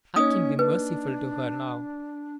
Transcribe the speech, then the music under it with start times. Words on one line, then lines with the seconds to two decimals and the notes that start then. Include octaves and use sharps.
"I can be merciful to her now."
0.16 A#3 C#4 D#4 D#5 D#6
0.59 D4 B4